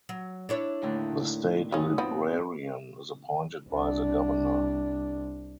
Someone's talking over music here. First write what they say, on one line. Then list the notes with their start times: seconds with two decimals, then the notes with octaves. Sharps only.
The State Librarian is appointed by the Governor.
0.09 F#3
0.49 D4 E4 C#5
0.82 D#2 A2 D3
1.72 F#2 C#3 C#4 D#4
1.98 F3 B3 C4
3.69 C2 D4